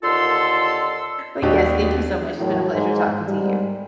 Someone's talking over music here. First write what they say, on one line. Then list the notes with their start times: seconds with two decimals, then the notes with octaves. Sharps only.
but, yes, thank you so much. It's been a pleasure talking to you.
0.03 D#2 D3 F4 A4 C6 E6
1.42 D#2 D4 F#4 G4 D#5
2.39 E2 A2 D#3 F#3
2.73 G#2
3.27 G#2 G3